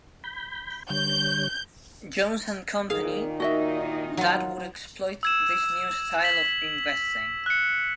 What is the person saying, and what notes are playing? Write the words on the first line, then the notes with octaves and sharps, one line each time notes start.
Jones and Company, that would exploit this new style of investing.
B5 G6
D3 G3 C#5 G6
A#2 D#3 G#4 F5
D#4 F#4 D#5 E5
F#3 F4
E6 G#6 E7
B6 F#7
F#6 C#7